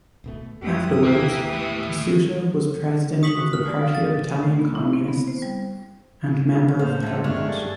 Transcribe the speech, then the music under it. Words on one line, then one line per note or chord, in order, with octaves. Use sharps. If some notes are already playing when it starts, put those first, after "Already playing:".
Afterwards, Cossutta was president of the Party of Italian Communists, and Member of Parliament.
D1 B2 A3
F#2 E3 G4 D#6
A1 D#2 A#3 B3
A2
C#6 D#6 B6 F#7
F#4
F6
D5
F5
A6
A3
B3
E4
C4
B3
C5
G3
A2 A#3 C5 F5
G#3 A3 F4
G2 C3 D#3 A3 C#4 D4 G#4 F5
G#4 A4